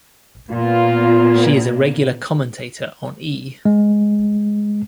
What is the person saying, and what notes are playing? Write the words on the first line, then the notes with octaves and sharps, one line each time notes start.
She is a regular commentator on E!
A#2 A#3 B3 F4
G#3